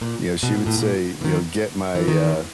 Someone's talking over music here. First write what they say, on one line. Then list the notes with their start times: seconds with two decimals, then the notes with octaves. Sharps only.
you know, she would say, you know, "Get my, uh,
0.01 A#2
0.43 B2
0.55 A#2
0.66 A2
0.78 A#2
1.21 E3
1.24 D#3
1.95 E3
2.08 D#3